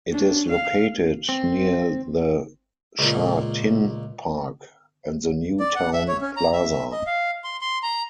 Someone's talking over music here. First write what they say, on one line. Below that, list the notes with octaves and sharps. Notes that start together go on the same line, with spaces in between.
It is located near the Sha Tin Park and the New Town Plaza.
C#4 D4
F5
C4
C#2 A#2
D5
F#5
E5
C#5
C#4
A#5
E5
D#5
F5
C6
C6
A#5